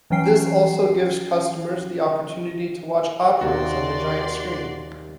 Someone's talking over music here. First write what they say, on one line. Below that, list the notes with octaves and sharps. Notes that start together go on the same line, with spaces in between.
This also gives customers the opportunity to watch Operas on the giant screen.
E3 F#3 C#4 G5 C7
D#2 C3 A#3 F#4 D5 C6